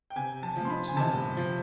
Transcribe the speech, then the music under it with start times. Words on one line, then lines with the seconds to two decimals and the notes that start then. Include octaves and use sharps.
"I can't now."
0.10 G5
0.16 C3 G#5
0.43 A5
0.56 F3
0.65 C6
0.70 B5
0.88 G#5
0.97 C3 A5
1.37 F3